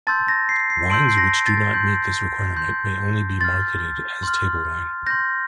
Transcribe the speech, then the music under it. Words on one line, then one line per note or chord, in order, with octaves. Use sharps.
Wines which do not meet this requirement may only be marketed as table wine.
A5 C6 E6 G6 A6
A#6
C7
C7
A5 C6 E6 G6 D7
C7
A#6
A6
C6 G6
C6 G6
C6 F6 A6
C6 F6
C6 G6 A#6